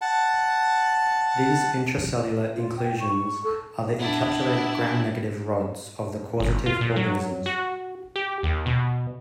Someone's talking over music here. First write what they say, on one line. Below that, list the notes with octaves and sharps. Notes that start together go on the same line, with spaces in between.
These intracellular inclusions are the encapsulated Gram-negative rods of the causative organisms.
F#5 A5
F4
G5
C#6
A4
B3 D4 E4
G1
F4
A#2
F#3
F#4
G4
D#2
B2